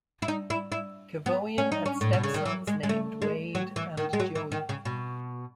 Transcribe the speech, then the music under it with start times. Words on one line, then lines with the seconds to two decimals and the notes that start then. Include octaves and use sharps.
Kevoian has stepsons named Wade and Joey.
0.22 E4
0.28 D#4
0.50 E4
0.72 E4
1.26 B3
1.58 C#4
1.72 D#4
1.86 C#4
2.01 A2
2.13 B2
2.23 C#3
2.34 D#3
2.45 E3
2.67 G#3
2.83 G#3
2.89 A3
3.22 G#3
3.55 F#3
3.76 E3
3.97 D#3
4.13 G#3
4.20 F#3
4.35 E3
4.52 D#3
4.69 C#3
4.85 B2